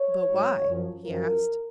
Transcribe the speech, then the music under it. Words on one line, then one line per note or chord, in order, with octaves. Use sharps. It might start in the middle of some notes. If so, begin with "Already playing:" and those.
"But why?" he asked.
Already playing: C#5
G#2 F#3
F#2 F3
F#2 F3 A#4